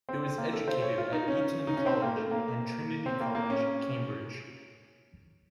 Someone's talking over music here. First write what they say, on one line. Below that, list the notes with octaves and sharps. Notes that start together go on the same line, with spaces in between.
He was educated at Eton College and Trinity College, Cambridge.
C4
A#3
A4
C5
C#5
F4
D#4
C#4
D#4
C#4
C4
A#3
A3
A#3
C4
A#3
A#3
C#4